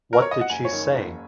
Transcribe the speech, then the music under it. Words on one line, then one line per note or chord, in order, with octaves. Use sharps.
What did she say?
A#4
C#5
D#5
F#5
F#1 G#5
C#5
F#2 D#3
F#1